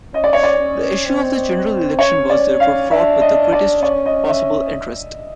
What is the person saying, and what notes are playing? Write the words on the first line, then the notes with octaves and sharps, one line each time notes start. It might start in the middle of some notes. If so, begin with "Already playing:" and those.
The issue of the general election was therefore fraught with the greatest possible interest.
C#4 D#5
D5
C#5
D5
C#4
C4
C#4 C#5
D5
F5
D4 E5
D#5
D5
C#4 D5
D#5
E5